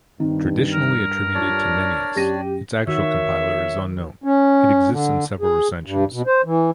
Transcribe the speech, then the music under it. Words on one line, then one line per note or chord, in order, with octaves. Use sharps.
Traditionally attributed to Nennius, its actual compiler is unknown; it exists in several recensions.
G2 D#3 C4
A#4
D4 F4 C#5 D5
F#2 G4 A#6 D#7
D#3 F#4 C#5 E5
C#4
D3
G#4
G2
B2
C5
E3